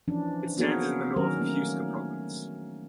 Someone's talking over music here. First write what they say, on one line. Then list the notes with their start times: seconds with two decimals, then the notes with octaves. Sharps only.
It stands in the north of Huesca province.
0.08 E3 F3 C#4 D4
0.57 A#3 B3 F#4 G#4 A#4 C#5
1.16 D#3 F#3 C#4 A#4
1.41 A3 A#3 C#4